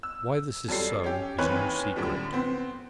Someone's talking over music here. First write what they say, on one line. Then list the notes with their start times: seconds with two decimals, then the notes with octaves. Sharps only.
Why this is so is no secret.
0.03 E6
0.68 F2 F#3 G3 A4 C7
1.04 C#4 G4
1.38 D#2 E3 C4 B4 C#5 B5
1.96 F#2 A2 D3 F3 G3
2.33 B3 C4